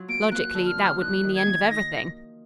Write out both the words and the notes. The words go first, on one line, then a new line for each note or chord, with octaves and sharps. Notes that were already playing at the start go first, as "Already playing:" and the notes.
Logically, that would mean the end of everything.
Already playing: F#3 F4
A#3 D7
A#3 F#6
D3
F6
F3
D#4 F#6
D#3
G#6
A#3
D#4 A#6